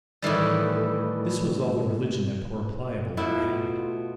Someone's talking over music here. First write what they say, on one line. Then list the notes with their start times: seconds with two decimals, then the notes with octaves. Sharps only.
This was all the religion that poor Pliable ever had.
0.22 A2 D#3 E3 G3
3.17 B2 A3 E4 F4